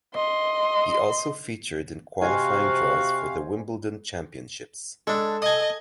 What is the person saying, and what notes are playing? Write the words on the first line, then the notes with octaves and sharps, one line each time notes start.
He also featured in qualifying draws for the Wimbledon Championships.
D#5 C6
C3 F#4 C5 D#5 F5 G#5
G#3 D4 A4
D#5 G#5 D#6